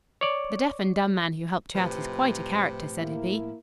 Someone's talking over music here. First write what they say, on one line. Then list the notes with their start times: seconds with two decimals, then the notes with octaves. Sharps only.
"The deaf and dumb man who helped you out is quite a character," said Hippy.
0.21 C#5 D5
1.75 A2 C3 F3 B4
2.97 A#3 E4